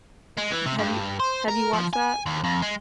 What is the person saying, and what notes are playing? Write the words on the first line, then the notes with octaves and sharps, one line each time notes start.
Have you have you you watched that?
G#3
E3
C3
G2
C5
A#4
F3
G#5
D#2
F2
G#3